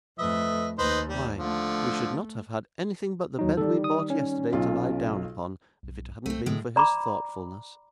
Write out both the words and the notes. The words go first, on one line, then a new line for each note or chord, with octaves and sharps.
Why, we should not have had anything but the bed we bought yesterday, to lie down upon, if it hadn't been for his thoughtfulness!'
F2 A3 B4 D#5 E5
D#2 D#4 B4 C5
G3
D3 F3 A3
D#2 F#3 D#4
D#3 G3 A4
D#6
C#4
B1 F4
B1
C2 A3 C4
A2 D3 G#3
D5 A#5 B5 D6